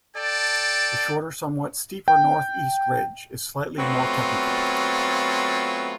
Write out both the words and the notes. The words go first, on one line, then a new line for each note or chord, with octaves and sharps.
The shorter, somewhat steeper north east ridge is slightly more technical.
A4 D5 G5 A5
G5
F#3 A3 B3 C4 F4